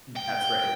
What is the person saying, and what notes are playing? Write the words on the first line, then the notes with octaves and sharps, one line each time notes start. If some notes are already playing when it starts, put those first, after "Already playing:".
M that's right.
G5